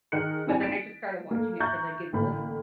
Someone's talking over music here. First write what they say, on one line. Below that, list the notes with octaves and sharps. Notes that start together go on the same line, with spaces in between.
but then I just started watching it for the giggles.
D#3 G#4 A#4 D#5 F#6 C#7
C4 E4 D5 G#5
A6 B6 D7 E7
A3 A#3
E5 A#5 C#6 F#6 G6 A6
A1 D3 A3 A#3 B5